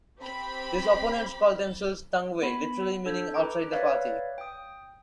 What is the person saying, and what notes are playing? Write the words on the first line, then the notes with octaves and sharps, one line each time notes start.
These opponents called themselves "Tangwai", literally meaning "outside the party".
C4 G4 B5
B3 B5
D4 A4 G6 G#6
E4 B4 G#5 A#5 D6 D7
B4 C#5 D5 E5 F5
G5 D#6